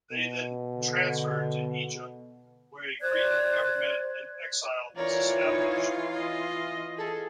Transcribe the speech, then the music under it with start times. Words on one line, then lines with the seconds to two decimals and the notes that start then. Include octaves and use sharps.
They then transferred to Egypt, where a Greek government in exile was established.
0.13 B2
0.75 D3
3.00 C5 D5 F#6 G#6
4.96 E3 F4 A#4 C#5 D5
5.43 D#4 E4
6.16 D#5
6.98 G#4 A4